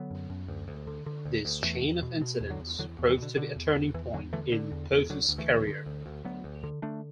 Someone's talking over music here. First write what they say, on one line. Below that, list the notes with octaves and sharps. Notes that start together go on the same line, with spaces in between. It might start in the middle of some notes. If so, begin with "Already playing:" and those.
This chain of incidents proved to be a turning point in Mpofu's career.
Already playing: D3 F#3 B3
F#2
F#2
D2
D2
D3
D3
D2
D2
E2 E3 A3
E2
B2
B2
E2
D3 F#3
E2
E2 D3 F#3
E2
E3
B2 D3
B2 D3
E2
E2
E2 E3
E2 D3 F#3
D3 E3 A3
D3
E2
E2
D2 D3 F#3
D2
E3 A3
D3
D3
D2
D2
D2 F#3 B3
D2
D3
D3 A3 D4